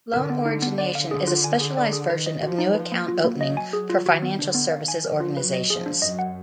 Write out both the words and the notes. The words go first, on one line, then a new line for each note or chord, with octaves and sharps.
Loan origination is a specialized version of new account opening for financial services organizations.
D3 A#4
B3
D#4
B3
D5
F5
D3 G#4
F4
G#5
G#4
D5
G#4
D#3 B4
D#5
F3 F#4
D#4
F3 B4
A#3
F#3 F4
A#3
D#5
G#5
G#4
F4
D#3 F#4
B3
D3 D4
B3
D#3 F5
G#5
F3 A#4
F4
F#3 B4
D#5
F3 G#4
D4
F#2 D#5
F#5